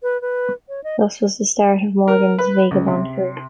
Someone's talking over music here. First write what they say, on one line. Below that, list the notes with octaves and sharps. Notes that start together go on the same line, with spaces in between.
Thus was the start of Morgan's vagabond career.
B4
B4
C#5
D#5
A#4
B4
C#2
C3